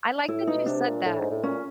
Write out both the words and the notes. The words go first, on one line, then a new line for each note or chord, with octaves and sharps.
I like that you said that.
A2 E4
B2 D#4
C3 D4
A#2
A2
G#2
A2
A#2 C#4